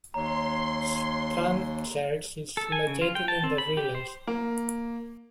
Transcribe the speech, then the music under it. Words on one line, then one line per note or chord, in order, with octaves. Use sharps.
Strand Church is located in the village.
D#2 C#5 A#5 C6
A4
G#5
C#3
F4
G5
A5
C4
B5
G4
C5
A#3